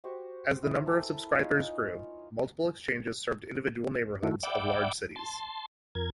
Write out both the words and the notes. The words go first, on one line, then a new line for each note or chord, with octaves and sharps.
As the number of subscribers grew, multiple exchanges served individual neighborhoods of large cities.
F#4 G4 C5 C#6
E4 E5
A4 A#4 G5 G#5
D#4 F4 C#5 G#5
D#3 A3 E4 F#4
D5 E5 F#5 G5 B5 D6
A5 C6
F2 A#4 G#6